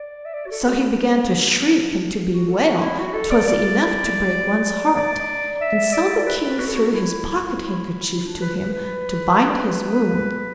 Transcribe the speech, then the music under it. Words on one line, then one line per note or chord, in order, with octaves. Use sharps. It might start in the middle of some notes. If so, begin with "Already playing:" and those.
So he began to shriek and to bewail; 'twas enough to break one's heart; and so the king threw his pocket-handkerchief to him to bind his wound.
Already playing: D5
E5
D5
F#4
A4
F#4
D4
D4
B3
D4
F#4
A4
F#4
D4
E4
F#4
A4
D5
D5
D5
E5
D5
D5
B4
F#4
A4
F#4
E4
E4
D4
B4
B4
B4
D5
B4